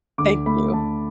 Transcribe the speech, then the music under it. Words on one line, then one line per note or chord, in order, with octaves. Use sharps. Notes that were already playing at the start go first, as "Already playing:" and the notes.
Thank you.
D2 D6
A3 B5
D2 A5